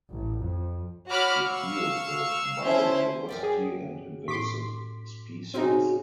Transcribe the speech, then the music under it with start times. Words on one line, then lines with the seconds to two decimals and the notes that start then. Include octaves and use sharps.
It deals with biodiversity and invasive species.
0.10 A1
0.40 F2
1.09 F#4 C#5 B5 D6 F6
1.44 F5 C#6 E6
2.64 C#4 E4 C5 E5 A5
3.29 F#2 G4 D5
3.43 G#4
4.28 A2 C6 D6 B6
5.54 C#3 C4 D#4 F#4 F5 G#5